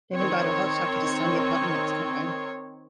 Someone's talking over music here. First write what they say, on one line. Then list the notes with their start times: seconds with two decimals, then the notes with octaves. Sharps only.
Davern died of a heart attack at his Sandia Park, New Mexico home.
0.14 D#3 C4 C#5